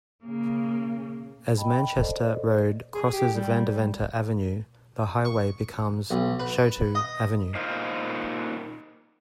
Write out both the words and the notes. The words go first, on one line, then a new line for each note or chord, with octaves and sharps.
As Manchester Road crosses Vandeventer Avenue, the highway becomes Chouteau Avenue.
C#3 A#3
D#5 G5 A5 B5
A4 C5 D5 D#5
G#4
G4
G3
G3
C#6
B1
B4
D#5
A#2 D#4 C5 F5